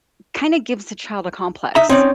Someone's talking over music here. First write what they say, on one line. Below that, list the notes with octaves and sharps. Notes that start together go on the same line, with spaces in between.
kinda gives the child a complex.
D#4 E5 A#5
C4 C#4 D#4 D5